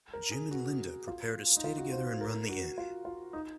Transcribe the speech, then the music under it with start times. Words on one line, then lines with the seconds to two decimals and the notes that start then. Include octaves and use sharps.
Jim and Linda prepare to stay together and run the inn.
0.14 A#4
0.32 G#4
0.51 F#4
1.08 F4
1.57 D#4
1.64 F4
1.77 F#4
1.92 C5
2.21 A#4
2.48 F#4
2.78 F4
3.05 F4
3.33 D#4